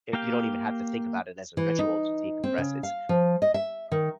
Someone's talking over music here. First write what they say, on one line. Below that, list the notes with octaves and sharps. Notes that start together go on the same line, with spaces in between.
y you don't even have to think about it as a ritual to decompress. It's
A#3 G4 F5 G5
E3
D#4
C4
C#3
F5
F3
D#5
E5
D#3